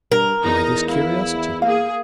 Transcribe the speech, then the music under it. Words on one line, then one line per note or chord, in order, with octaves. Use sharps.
Why this curiosity?
G2 A#4
E2 D#4 A#5
E4 F5
A#3 G#4 F5